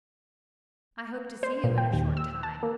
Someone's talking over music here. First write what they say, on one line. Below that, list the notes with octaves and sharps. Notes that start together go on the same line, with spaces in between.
I hope to see you in a short time.
C5
A#2
G5
D#2
E6
A5
A#3